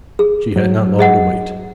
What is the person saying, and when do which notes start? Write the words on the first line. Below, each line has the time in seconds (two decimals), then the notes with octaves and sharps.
She had not long to wait.
0.19 G#4
0.56 F#3
0.99 G#4 D#5 F#5